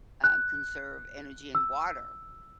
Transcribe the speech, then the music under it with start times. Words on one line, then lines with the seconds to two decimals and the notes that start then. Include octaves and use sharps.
um, conserve energy and water,
0.24 F#6
1.55 E6